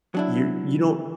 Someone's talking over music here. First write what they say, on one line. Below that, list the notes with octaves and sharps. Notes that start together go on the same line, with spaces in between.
you you don't
F#3 D4 E4